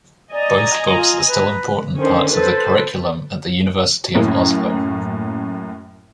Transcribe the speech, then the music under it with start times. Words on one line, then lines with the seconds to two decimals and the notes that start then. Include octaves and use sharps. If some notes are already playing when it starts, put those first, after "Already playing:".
Both books are still important parts of the curriculum at the University of Oslo.
0.32 D5 D#5 G#5 A#5
0.93 F4
1.27 B4
1.99 D3 D#3 C#4 C5
2.33 A4 B4 C5
4.14 F#2 A2 A#3 C#4